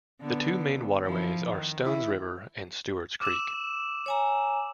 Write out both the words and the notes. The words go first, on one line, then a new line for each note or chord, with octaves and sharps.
The two main waterways are Stones River and Stewarts Creek.
D3 B3
F2 F3 E4
D#3
E4
D6 E6 E7
C#5 G#5 A#5